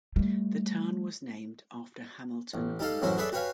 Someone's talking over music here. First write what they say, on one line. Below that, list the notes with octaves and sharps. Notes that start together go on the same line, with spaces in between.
The town was named after Hamilton Ward.
G3 A3
A1
G3 D#4 A4 F5
A1 F#2 F#3 C#4 E4 C5
G#4 A4 B4 C#5 D5 E5
F#4 G4 B4 C#5 F5 G#5